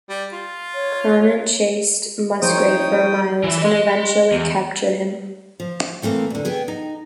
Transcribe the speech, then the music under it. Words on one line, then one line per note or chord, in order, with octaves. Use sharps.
Cronin chased Musgrave for miles and eventually captured him.
G3
F4
C#5
F#1 F3 A#3 D#4 C5 C#5 G5 D#6
E3 E4
D#5 C6
E2
F3
C3 E3 A3 A#3
E2 D3
B3 G#4 G5
D#4